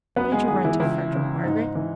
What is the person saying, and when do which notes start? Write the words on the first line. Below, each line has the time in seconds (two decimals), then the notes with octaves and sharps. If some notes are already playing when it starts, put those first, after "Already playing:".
'When did you write to Frederick, Margaret?
0.16 F#2 B3 B4
0.32 G#3 G#4
0.48 D#3 G#3 G#4
0.64 E3 E4
0.80 C#2 E3 E4
1.12 C#3 E3
1.43 G#2 D#4
1.75 E3